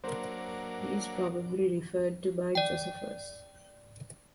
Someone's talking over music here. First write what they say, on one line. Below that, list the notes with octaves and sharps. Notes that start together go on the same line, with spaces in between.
He is probably referred to by Josephus.
F#3 A#3 D4 A#4 C5
D5 G5